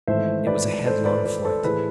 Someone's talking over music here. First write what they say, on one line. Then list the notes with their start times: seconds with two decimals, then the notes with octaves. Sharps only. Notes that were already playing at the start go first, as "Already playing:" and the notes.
It was a headlong flight.
0.07 G#1 G#2 E3 A3 C5 E5
0.47 B4 D5
0.86 A4 C5
1.05 B4 D5
1.25 B4 D5
1.44 A4 C5
1.64 A2 E3 G#4 B4